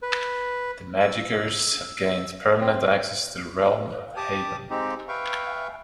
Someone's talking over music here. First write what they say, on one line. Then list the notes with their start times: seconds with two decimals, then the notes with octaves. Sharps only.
The Magickers have gained permanent access to the realm of Haven.
0.02 B4
1.00 E6
2.61 C4
4.17 G4 A5 D6 D#6
4.70 G#3 C4 D#4 G4
5.08 B4 E5 F5 G5 C#6